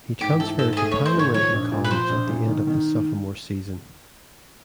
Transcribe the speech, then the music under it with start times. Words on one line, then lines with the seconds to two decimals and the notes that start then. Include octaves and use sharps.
He transferred to Pan American College at the end of his sophomore season.
0.20 G#2 G4
0.39 E3 A4
0.58 G#2 A4
0.73 A4
0.77 A3 G#4
0.92 C#5
0.96 A3
1.06 C5
1.15 G#1 C#5
1.34 F3 C#5
1.54 A#1
1.72 A#2
1.84 B4
1.90 F3 C5
2.09 A#1
2.29 A#2
2.47 D#3
2.67 D#3